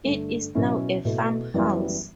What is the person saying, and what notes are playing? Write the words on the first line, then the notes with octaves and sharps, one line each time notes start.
It is now a farmhouse.
G2 D3 A3
B2 F#3 C#4 E4
B2 A3 E4
F#2 E3 G3 B3 E4